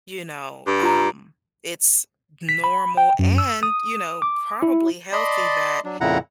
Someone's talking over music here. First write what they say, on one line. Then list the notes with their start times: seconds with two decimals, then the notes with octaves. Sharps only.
you know, um, it's normal and, you know, probably healthy that
0.67 G2
0.83 F4 A#5
2.49 B6
2.64 B5
2.97 G5
3.19 F#2
3.38 E6
3.63 D#6
4.22 D6
4.62 E4
5.12 D5 D#5 A5 B5 C6
5.85 F#3 D4
6.01 F2 A#2 C#3 E4 F#5 A#5